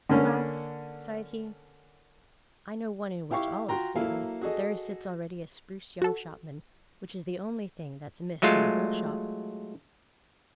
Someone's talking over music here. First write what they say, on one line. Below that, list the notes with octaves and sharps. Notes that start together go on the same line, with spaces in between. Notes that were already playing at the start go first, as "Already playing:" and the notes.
Alas!" sighed he, "I know one in which all is stately; but there sits already a spruce young shopman, which is the only thing that's amiss in the whole shop.
D3 A#3 C#4
E4 G4 F5 C#6
F4 F#4 G5 A#5 C6
F#3 A#3 E4 A4 F5
F#4 G#4 A4 D#5
F#4 A4
F#3 G#3 A3 F4